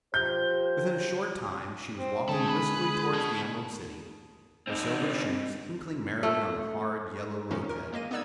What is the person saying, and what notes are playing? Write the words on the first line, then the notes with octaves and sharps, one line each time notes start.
Within a short time she was walking briskly toward the Emerald City, her silver shoes tinkling merrily on the hard, yellow road-bed.
F3 G4 C5 G6
C4
D3 G#3 A3 G#4 A4
B4
B2
C4 D#4
A3
A#2 D#3 F3 G#3 C#4 D#4
A#4
G#3 A#3 D#5 D#7
B3 D#4 B4 D5 E6 G#6